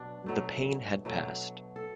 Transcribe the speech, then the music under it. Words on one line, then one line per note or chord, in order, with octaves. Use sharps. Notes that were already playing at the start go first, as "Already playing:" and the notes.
The pain had passed.
Already playing: B2 F#3 D4
B2 F#3 A3
B2 F#3 A3
A4